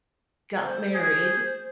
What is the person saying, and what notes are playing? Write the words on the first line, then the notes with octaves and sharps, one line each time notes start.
got married,
C5
G#4